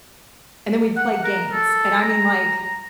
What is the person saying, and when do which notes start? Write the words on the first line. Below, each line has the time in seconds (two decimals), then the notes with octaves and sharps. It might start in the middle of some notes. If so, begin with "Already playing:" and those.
and then we'd play games, and I mean, like,
0.96 F#5
1.24 A#4
1.52 A4
2.02 A#5